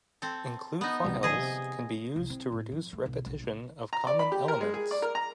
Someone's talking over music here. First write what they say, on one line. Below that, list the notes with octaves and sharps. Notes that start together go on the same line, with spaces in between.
Include files can be used to reduce repetition of common elements.
C4 A4
B3 D#4
C2 B2 G3
A1 D3 F3 G#4 D#5
C3
C2
C4
A2
F3
A3
B1
A#1
C3
A#5
D5
B5
G4
A#4
G#3
G#4
D5
A#4
A#5